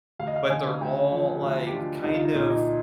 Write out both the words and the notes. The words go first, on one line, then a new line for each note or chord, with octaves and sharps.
but they're all, like, kind of
D2 F5
D#5
F5
D3 G#5
D2 G5
F3
D2
F4
G4
D3 F4
C2 D#4
F4
D#4
A#2
D#4